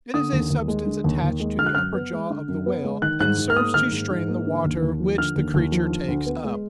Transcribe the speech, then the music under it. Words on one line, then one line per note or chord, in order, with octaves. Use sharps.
It is a substance attached to the upper jaw of the whale, and serves to strain the water which the creature takes up.
D3 D#6
D#2
D#2
G#3
D3
D#2
D#2
G#3
D3 F6
F#6
F#2 F6
B3
G#3
D3
F#2
B3
G#3
D#3 F#6
G#2 F#6
G#2
F6
A#3 D#6
D#3 F6
G#2
G#2
A#3
D3
D#2
D#2
F3
D3 F6
D#2
D#2
F3
D3
D2
B3
G#3